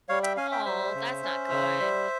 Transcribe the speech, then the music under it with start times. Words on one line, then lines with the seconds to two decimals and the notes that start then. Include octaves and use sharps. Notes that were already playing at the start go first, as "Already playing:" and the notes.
Oh, that's not good.
0.09 G3 C#5 F5
0.23 E5 G5
0.37 C#4 F5 G#5
0.52 E5 G5
0.66 G3 C5 E5
0.94 C#3
1.23 C#4
1.51 C#3
1.80 G3